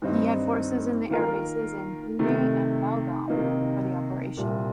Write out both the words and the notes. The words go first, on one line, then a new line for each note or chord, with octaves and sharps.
He had forces in the airbases in Pune and Belgaum for the operation.
G2 D#3 G3 C4 D#4
D#3 A#3 F4 A#4
C3 D#3 A3
C3 D#3 A#3 D#4
C2 A#2 G3